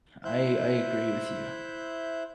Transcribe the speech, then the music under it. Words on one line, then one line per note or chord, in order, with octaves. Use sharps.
I I I agree with you.
E4 C5 E5 F#6 G6